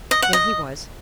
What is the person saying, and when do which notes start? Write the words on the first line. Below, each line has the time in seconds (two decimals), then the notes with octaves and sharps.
There he was!
0.11 D#5
0.22 F#5
0.33 D#5